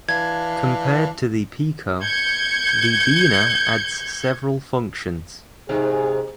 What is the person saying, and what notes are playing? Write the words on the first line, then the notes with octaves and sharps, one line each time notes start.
Compared to the Pico, the Beena adds several functions.
E3 D4 F5 G#6
G6 G#6 C#7
G#2 C3 G#4